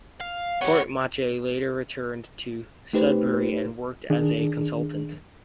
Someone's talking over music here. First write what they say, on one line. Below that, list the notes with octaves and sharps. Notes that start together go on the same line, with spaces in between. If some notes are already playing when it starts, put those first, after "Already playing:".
Courtemanche later returned to Sudbury and worked as a consultant.
F5
G3 B3 C#5
A3 D#4 G4 B4 C5
D#3 D4 G#4